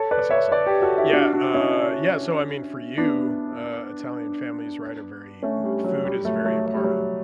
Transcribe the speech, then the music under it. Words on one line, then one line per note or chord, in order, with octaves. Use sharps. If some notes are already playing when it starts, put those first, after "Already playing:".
That's awesome. Yeah, uh, yeah so, I mean, for you, uh, Italian families, right? Are very food is very a part
Already playing: A4 C#5
B4 D5
C#5 E5
B4 D5
G4 B4
F#4 A4
E4 G4
D4 F#4
D4 F#4
C#4 E4
B3 D4
A3 C#4
G3
F#3
G3
F#3 A3
F#3 A3
A3
G3
F#3
G3